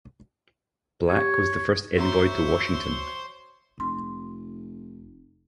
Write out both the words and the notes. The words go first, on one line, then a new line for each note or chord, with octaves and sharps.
Blak was the first envoy to Washington.
G4 C#5
F#4 C5 C#5 E5 A#5 C6
F1 C6